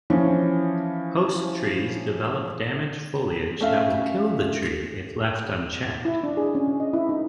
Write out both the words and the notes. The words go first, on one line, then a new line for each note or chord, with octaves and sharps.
Host trees develop damaged foliage that will kill the tree if left unchecked.
E3 F3 C#4
A3 C#4 E5 F5
E4
D4
G#4
C#4
D#5
E4
D#4